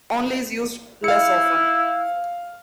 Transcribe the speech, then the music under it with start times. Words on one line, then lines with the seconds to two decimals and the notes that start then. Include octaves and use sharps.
Only is used less often.
1.04 E4 F5 C#7